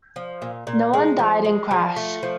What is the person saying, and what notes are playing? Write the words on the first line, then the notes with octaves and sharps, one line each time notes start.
No one died in crash.
F3
A#2
A#2
G#3
F3
G#3
F3
A3
F3